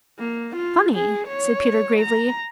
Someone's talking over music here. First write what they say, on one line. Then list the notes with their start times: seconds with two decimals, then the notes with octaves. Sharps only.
"Funny!" said Peter gravely.
0.19 A#3
0.56 F4
0.94 G#4
1.27 C#5
2.00 A#5